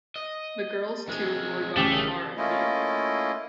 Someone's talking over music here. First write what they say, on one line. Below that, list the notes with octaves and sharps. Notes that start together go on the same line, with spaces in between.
The girls, too, were gone far afield.
D#5
F2 G#3
A1 C#3 A3 G4
D#3 G#4
A3 A#3 C#4 E4 F4 D#5